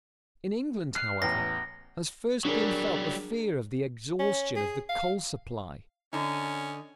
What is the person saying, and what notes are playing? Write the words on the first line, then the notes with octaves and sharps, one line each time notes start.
In England, however, has first been felt the fear of the exhaustion of the coal-supply.
F6 F#6 C7
A1 E2 A#6
F#3 G3 D4 G#4 A#4
C#4
G#4
F5
D3 C#4 D#4